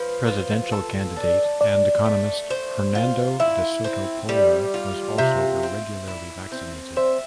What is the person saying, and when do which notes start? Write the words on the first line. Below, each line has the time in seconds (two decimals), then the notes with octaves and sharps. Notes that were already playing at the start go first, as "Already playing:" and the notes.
Presidential candidate and economist Hernando de Soto Polar was also irregularly vaccinated.
Already playing: F3 B4
0.27 F4
0.72 A4
1.16 D4
1.61 D4 D5
2.06 A3
2.50 C5
2.95 F4
3.40 E4 E5
3.84 C4
4.29 G3
4.74 F4
5.18 C3 E5
5.63 C4
6.08 E4
6.52 C4
6.96 C5 E5